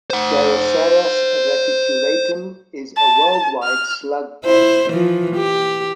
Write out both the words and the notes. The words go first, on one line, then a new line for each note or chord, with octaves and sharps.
"Deroceras reticulatum" is a worldwide slug pest.
C5 F#5
A5
F6
E4 C5
E3 F3
G4